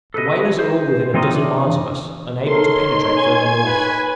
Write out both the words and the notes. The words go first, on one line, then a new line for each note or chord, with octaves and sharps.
The whalers are all within a dozen miles of us, unable to penetrate further north.
A4 B4 D#5
C5
E3 C4 D#4 F4 F#4 D#5
E3 D4
D#4 A4 A#4 C#5 C6
G#5 G#6
B4